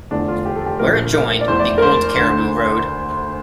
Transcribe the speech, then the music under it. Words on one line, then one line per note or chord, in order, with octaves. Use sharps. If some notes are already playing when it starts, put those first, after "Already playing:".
Where it joined the old cariboo road.
F1 E2 D3 F3 D4
F4
G4
A4
G4
A#1 A#2 F3 A#4
A#4
D5
F1 E2 E3 C5
D5
A#4
C5
D2 D3